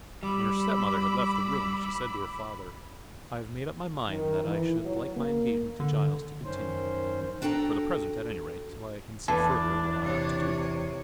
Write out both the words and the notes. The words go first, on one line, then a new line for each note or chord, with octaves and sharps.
When her step-mother had left the room she said to her father, "I have made up my mind that I should like my engagement to Giles to continue, for the present at any rate, till I can see further what I ought to do."
G3 B5 D6 E6
D#3
E3
F#3
A#3
D3
F#2 D#3 C#4 C5
D4 F#4 A4 G5 A#5
E2 D4 A4
C3 C#5